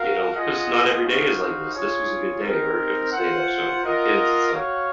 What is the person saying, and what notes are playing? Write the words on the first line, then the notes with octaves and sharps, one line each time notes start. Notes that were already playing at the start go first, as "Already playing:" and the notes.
you know, 'cause not every day is like this, this was a good day, or if it's a day that I spent with my kids, it's like,
Already playing: F#4 A#4 F5
F4 G#4 D#5 F#5
D#4 F#4 C5 F5
F4 G#4 C#5
C4 D#4 A#4
F4 C5 F#5
F4 A#4 D#5 F#5
F#4 C#5 F5